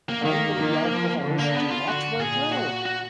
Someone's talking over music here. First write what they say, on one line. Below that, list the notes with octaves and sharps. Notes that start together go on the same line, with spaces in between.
Primary alcohols do not work well.
A#3
D#3 A#3
D#3
F3
D3
A#3
B3
F4
D3 F#4
A#2 G#4
F#4
F#4